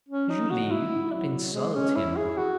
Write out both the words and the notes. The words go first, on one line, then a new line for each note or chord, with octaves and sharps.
"Julie--you need not insult him."
C#4
D#4
F#4
E4
F#3
G#3
C#4
E4
G#4
F#4